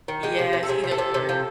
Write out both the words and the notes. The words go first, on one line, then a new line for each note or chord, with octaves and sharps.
yes, either, or.
D#3
G#3 G4
C3
C3
A4
C3 G#4
C3
A4
C3
C3
F3